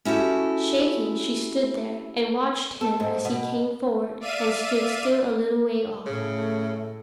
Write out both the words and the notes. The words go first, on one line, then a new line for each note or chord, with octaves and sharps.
Shaking she stood there, and watched him as he came forward, and stood still a little way off.
C#4 E4 F#4 G4 A4
A4
G#2
B2
D5 E5 F5 D#7
A2 C#3 A3